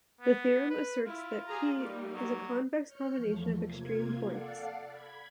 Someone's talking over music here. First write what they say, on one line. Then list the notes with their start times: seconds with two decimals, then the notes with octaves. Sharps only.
The theorem asserts that "p" is a convex combination of extreme points.
0.21 B3
0.70 B4
1.06 E4 F4
1.47 G4 G#4 A#5
1.79 G3 A#3 D#4
2.15 F#3
2.87 C#5 F6 G6 C#7
3.15 E2 F3 A3
3.64 C3 A#3 F4 G#6
4.22 A4 D5 F5 F#5
4.88 B5 G#6